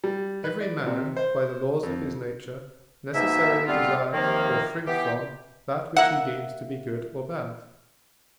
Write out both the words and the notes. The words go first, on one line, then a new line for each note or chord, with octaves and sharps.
Every man, by the laws of his nature, necessarily desires or shrinks from that which he deems to be good or bad.
G3
B4
D5
C3
C5
F2
G#2 B2 A#3 D#4 E5
G3 A3 B3 C4 F4
D#2 C3 D#3 F3 A#3
E3 B3 G4
A#3 E5 F#5